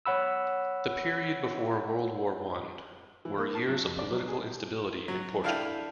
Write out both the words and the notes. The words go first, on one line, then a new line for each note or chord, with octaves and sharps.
The period before World War One, were years of political instability in Portugal.
C#5 F#5 B5 E6
E3
A#3
A5
F#3
F2
D5
F#3
G#4
F#3
D4 E4 A4 F5 G5